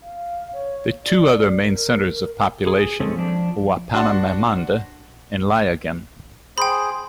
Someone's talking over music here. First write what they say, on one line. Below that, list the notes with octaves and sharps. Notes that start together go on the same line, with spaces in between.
The two other main centres of population are Wapenamanda and Laiagam.
F5
C#5
D5
A#4
G#4
G#3 C4 C#4 G#4 A4
F3 D4
D4 F#4 F#5 A5 C6
G#4 C5 G5 B5